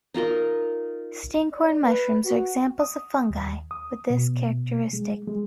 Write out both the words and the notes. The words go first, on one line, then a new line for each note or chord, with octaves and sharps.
Stinkhorn mushrooms are examples of fungi with this characteristic.
D#4 F4 A#4 D#5
D5
B4
F#4
D#6
D#2
D#6
B2
G#3
G#3